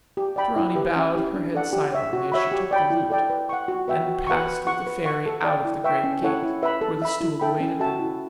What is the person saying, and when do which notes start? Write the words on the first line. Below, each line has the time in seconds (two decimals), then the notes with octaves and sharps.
Dorani bowed her head silently as she took the lute, and passed with the fairy out of the great gate, where the stool awaited them.
0.17 G4
0.36 D5 G5 B5
0.56 E4
0.75 G4 B4
0.96 C#4
1.15 E4 G4
1.34 D4
1.54 A4 D5 F#5
1.73 G4
1.92 C#5 E5
2.13 F#4
2.32 C#5 E5 B5
2.52 G4
2.71 D5 G5 B5
2.90 E4
3.10 A4 D5 G5
3.30 B4
3.49 F#5 C#6
3.68 F#4
3.88 B4 E5 G5
4.08 F#4
4.27 B4 F#5 C#6
4.47 B4
4.67 F#5 C#6
4.87 B4
5.05 F#5 C#6
5.26 A4
5.44 D5 G5
5.65 E4
5.84 B4 E5 G5 C#6
6.04 C#4
6.22 E4 A4 C#5 F#5
6.43 E4
6.63 B4 E5 B5
6.81 A4
7.02 E5 B5
7.21 E4
7.40 A4 E5 G5 B5
7.60 C#4
7.80 F#4 A4 E5 A5
7.99 E4